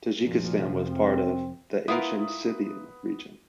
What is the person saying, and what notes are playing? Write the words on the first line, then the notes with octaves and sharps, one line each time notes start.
Tajikistan was part of the Ancient Scythian region.
F1 A#2 F3
C4
E4 F4 A#4 B4 F#5 D#6